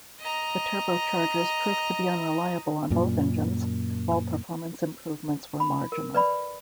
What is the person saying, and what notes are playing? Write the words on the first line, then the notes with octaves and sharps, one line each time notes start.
The turbochargers proved to be unreliable on both engines, while performance improvements were marginal.
D#5 A#5
F#2 A#2
B5
A#4
B4 D5 B5